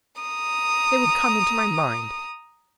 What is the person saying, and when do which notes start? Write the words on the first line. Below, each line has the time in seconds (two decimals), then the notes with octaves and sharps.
They would come into my mind.
0.21 A#5 D#6